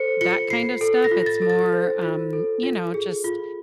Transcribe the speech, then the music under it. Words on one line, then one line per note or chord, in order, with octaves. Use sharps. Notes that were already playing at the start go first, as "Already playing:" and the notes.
that kind of stuff, it's more, um, you know, just
Already playing: A4 C5 C#7
F4 C#7
F4 C7
A4
A#6
F4
A6
A4
A6
C5
F4
A4
F4
G#4
F4